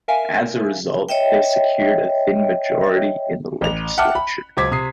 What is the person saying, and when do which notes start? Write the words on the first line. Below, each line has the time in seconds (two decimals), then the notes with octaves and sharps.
As a result, they secured a thin majority in the legislature.
0.08 A#4 E5 F5 G#5
1.09 C#5 D#5 E5 G5
3.61 A1 F7
3.98 E5 F#5 G5 A5 D6 F6
4.15 B5
4.57 C#2 F#3 C5 D6 G#6 B6
4.71 C3 D#6 C7